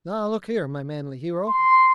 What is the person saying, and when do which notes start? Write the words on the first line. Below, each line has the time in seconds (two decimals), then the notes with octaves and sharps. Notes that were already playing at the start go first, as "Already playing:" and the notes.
Now, look here, my manly hero.
1.49 C6